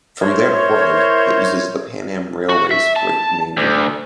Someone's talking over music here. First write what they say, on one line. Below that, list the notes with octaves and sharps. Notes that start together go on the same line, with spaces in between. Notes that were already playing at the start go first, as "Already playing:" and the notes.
From there to Portland, it uses the Pan Am Railways Freight Main Line.
E4 A#4 C5 C#5
F#4
E5
A5
D2